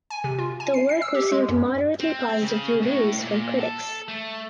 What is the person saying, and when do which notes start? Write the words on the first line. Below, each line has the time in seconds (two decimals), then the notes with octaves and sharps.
The work received moderately positive reviews from critics.
0.10 G#5
0.24 C3
0.39 F4
0.60 G#5
0.74 C7
0.89 C7
1.02 E6
1.15 G4
1.32 G#3
1.49 F#2
2.00 C4
2.42 C#3
2.82 A2
3.21 A#2
3.59 A4
4.08 A3